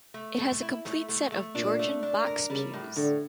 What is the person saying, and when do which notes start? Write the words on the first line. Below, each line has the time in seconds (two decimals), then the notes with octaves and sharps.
It has a complete set of Georgian box pews.
0.14 A3
0.38 A3
0.62 E4
0.85 A3
1.09 A3
1.32 A3
1.55 A#2 D4
1.79 A3
2.03 D4
2.26 A#4
2.50 C#3 G3
2.73 A2
2.96 A2 D3